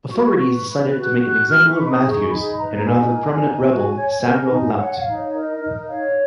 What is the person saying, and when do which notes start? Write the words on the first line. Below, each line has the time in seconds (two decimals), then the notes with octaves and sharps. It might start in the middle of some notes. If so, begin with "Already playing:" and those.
Authorities decided to make an example of Matthews and another prominent rebel, Samuel Lount.
0.12 F#4 C#6
0.18 B5
0.26 C#6
0.39 B4 C#6
0.67 B4
0.93 F#4 F#6
1.21 F#4 F#6
1.48 B4 F6
1.69 C#6
1.76 D#4
1.84 C#6
1.89 D#6
2.04 G#4
2.10 C#6
2.31 D#4 B5
2.58 B4 A#5
2.85 D#4 G#5
3.13 A#4
3.41 D#4
3.68 F#4
3.96 C#5
4.23 A#4
4.50 D#4
4.73 F5
4.77 C#5 F#5
4.98 F5
5.05 D#4
5.18 C#5
5.33 A#4
5.39 D#5
5.60 D#4 D#5
5.88 C#5 F5